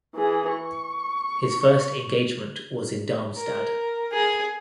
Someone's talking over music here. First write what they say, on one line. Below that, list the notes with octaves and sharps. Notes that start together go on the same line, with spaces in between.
His first engagement was in Darmstadt.
E3 G#4
C#6
A#4
G#4